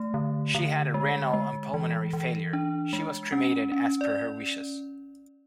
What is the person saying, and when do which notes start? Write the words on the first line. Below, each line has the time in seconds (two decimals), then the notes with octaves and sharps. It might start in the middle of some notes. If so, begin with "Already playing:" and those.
She had renal and pulmonary failure., She was cremated as per her wishes.
Already playing: A3
0.14 D3
0.55 D3
0.94 G#3
1.34 G#3
1.74 E3
2.13 E3
2.53 D4
2.93 G#3
3.32 C#4
3.72 C#4
4.01 D5